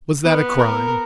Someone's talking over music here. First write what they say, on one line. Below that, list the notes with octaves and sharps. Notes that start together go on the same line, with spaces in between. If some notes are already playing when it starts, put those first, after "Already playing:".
Was that a crime?
B3
A#4